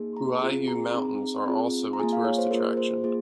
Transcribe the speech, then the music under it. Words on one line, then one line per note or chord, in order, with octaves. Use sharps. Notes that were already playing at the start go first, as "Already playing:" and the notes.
Huaiyu Mountains are also a tourist attraction.
Already playing: A#3 D#4 G#4
A#5
C4 F4 G#4
A#5
C4 D#4 G#4
C4 F4 G#4
A#5
A#3 F4 G#4 G#5
F5
C#5
C5
A#3 F4 G#4 A#4
C5
A#3 F4 G#4